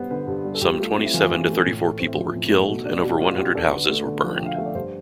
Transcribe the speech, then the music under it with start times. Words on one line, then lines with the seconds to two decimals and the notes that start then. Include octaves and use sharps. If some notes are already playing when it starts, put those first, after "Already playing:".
Some twenty-seven to thirty-four people were killed and over one hundred houses were burned.
Already playing: G2 G3 B3 C5
0.11 D3 B4
0.27 G2
0.45 G3
0.55 A4
0.61 G2 G4
0.74 G4
0.80 A3 F4
0.96 C4
1.05 E4
1.14 E3 F4
1.31 G2
1.48 A3
1.65 A2
1.83 A3
1.99 C4
2.07 E4
2.17 F3 F4
2.34 A2
2.51 A3
2.69 B2
2.85 D4
3.03 B2
3.11 G4
3.20 B3 F4
3.37 B2 G4
3.55 D4 A4
3.71 D3 B4
3.89 A3
4.06 D3
4.24 F3
4.36 G5
4.41 D3 F5
4.55 A3 E5
4.66 D5
4.75 G2 C5